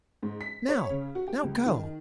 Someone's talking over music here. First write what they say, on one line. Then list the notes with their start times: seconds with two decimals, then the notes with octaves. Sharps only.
"Now--now, go."
0.23 G#2
0.41 B6
0.69 C#5
0.90 C#3
1.15 F#4
1.28 G4
1.43 C#2
1.66 D#3